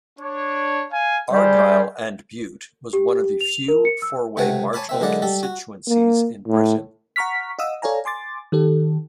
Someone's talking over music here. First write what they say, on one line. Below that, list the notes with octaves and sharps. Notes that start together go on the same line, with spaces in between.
Argyll and Bute was one of the few four-way marginal constituencies in Britain.
D4 C#5
F5 G#5
G3 G#4 C5
G4
F7
A#4
C#7
E6
C#2 C3 A3 F#5 G#5
C#5 G#5 A5 B5 D6
A#2 C4 E5
F#2 D3 G#3 E4 D5 F#5
G3 A4
F#4
A#3
A2
F#5 A#5 C#6 F6 B6
D#5 F5 F#5 D#6 E6
A4 C#5 D5 F5 G#5 A#5
G#5 C6 D6 A6
D#3 G4 A4